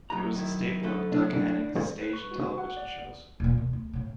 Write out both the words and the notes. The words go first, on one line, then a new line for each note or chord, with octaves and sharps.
It was a staple of Doug Henning's stage and television shows.
F#2 B4 A#5
D#3 E4
D3 A3 B4
D4
B4
C#6
F#4
F#5
D5
D#1 A#2
E1
D2
A2 C#3